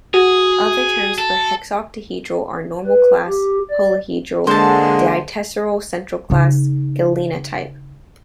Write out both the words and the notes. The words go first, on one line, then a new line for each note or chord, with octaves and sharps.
Other terms for hexoctahedral are: normal class, holohedral, ditesseral central class, galena type.
F#4 G#4
A4
B4
G4
D5
D3 G#3 A#3 G#4 C5 A5
C#3 D#4